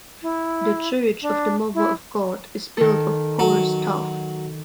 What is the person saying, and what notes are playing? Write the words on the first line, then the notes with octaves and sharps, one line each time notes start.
The church of the Mother of God is built of porous tuff.
E4
D4
E4
D#3 A4
F#3